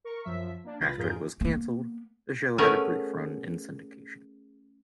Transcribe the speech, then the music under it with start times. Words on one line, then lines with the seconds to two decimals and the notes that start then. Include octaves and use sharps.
After it was canceled, the show had a brief run in syndication.
0.04 A#4 C#6
0.24 F#2 F3 E5 B6
0.64 A#3 D4
0.80 C2 F4 B4 B5 A6 A#6
0.97 F2 G#2 F4 G#4 A#4 G6
1.41 A#3 B3
2.58 A3 B3 C#4 G#4 A#4 B4